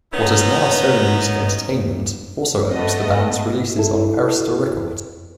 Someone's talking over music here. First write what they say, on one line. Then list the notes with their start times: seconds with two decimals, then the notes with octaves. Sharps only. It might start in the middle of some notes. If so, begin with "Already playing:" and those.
What is now Sony Music Entertainment also owns the band's releases on Arista Records.
0.13 D#3 F#3 B3 C#4 D#4
2.71 A3 B3 D#5
3.77 E4 A4